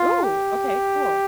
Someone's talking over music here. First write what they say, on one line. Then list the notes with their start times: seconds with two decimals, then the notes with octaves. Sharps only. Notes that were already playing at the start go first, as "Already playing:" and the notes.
Ooh, okay, cool.
Already playing: F4
0.24 G4